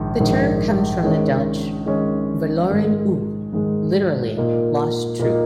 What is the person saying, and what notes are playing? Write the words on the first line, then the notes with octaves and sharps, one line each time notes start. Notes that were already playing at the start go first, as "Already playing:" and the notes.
The term comes from the Dutch "verloren hoop", literally "lost troop".
Already playing: A#1 G#2 D#3
A#1 G#2 D#3
D#3 G#3 C#4
D#3 G#3 C#4
G#2 D#3 G#3
G#2 D#3 G#3
A#2 A#3 D#4
A#2 A#3 D#4